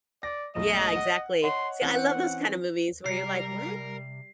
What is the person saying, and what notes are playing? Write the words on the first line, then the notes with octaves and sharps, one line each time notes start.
Yeah, exactly, see, I love those kind of movies where you're like, "What,
D5 A#6
B1 G#2 A3 D#5
F#5
C#5 D#5 F#5 C6
E3 C4 C#4 F#5
C3 G3 A#4 C7